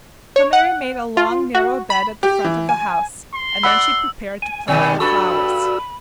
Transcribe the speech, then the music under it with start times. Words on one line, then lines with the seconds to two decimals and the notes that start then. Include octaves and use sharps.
So Mary made a long, narrow bed at the front of the house, and then she prepared to plant her flowers.
0.36 C#5
0.53 F#5
1.17 F4
1.55 F#4
1.90 B5
2.23 G4
2.44 E3
2.69 G#5
3.35 C6
3.63 D5 F#5 B5 E6
4.42 G#5
4.68 B2 D#3 G3 G#5 E6
5.00 G2 F#4 A4 B5 E6